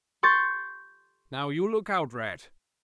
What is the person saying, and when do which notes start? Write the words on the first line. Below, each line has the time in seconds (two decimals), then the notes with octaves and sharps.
Now, you look out, Rat!
0.23 C6 C#6 G6 A6